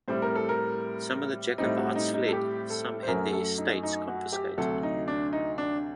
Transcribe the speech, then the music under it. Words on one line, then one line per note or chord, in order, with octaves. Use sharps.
Some of the Jacobites fled; some had their estates confiscated.
A2 G3 C4 C5
A#4
A4
A#4
A2 G3 C4 D#4
F#4
D#4
D#4
A4
G4
A4
C5
F#2 F#3 A3 A#4
A4
D#4
D#4
F#4
G4
D2 C3 F#3 A4
D#4
D4
D#4
D4